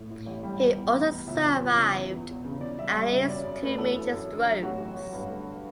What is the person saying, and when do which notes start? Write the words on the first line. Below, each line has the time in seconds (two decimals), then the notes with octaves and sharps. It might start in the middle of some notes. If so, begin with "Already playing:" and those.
He also survived at least two major strokes.
Already playing: A2
0.10 A2
0.26 A1
0.43 G3
0.61 E2
0.77 E2
0.93 E2
1.11 E2
1.27 C#2 E5
1.44 F#3
1.61 C#2
1.77 C#3
1.94 E2
2.10 E2
2.28 E1
2.45 C#3
2.61 C#3 D5
2.78 G3 E5
2.95 G3 E5
3.11 C#3 E5
3.28 F#2 D5
3.45 F#2
3.62 A3 B4
3.78 E3 A4
3.95 F#2
4.12 F#2
4.30 D3
4.46 F#3
4.62 A1 F#4
4.80 F#3
4.97 F#3
5.13 G2
5.30 D3